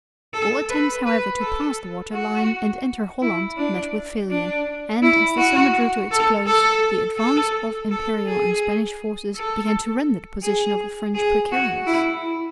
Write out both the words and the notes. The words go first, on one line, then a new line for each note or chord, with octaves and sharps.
All attempts, however, to pass the water-line and enter Holland met with failure; and, as the summer drew to its close, the advance of Imperial and Spanish forces began to render the position of the French precarious.
A4
B4
B4
A4
F#4
E4
D4
D4
E4
F#4
A4
A4
A4
A4
G#4
A4
G#4
G#4
F#4
E4